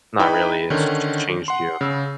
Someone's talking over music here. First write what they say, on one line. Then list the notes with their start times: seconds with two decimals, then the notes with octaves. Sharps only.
not really, it's ch changed you?
0.19 D#4 E4 B4 G5 B5
0.70 D3 D#3 C#4
1.48 F#5 C6
1.81 C#3 E6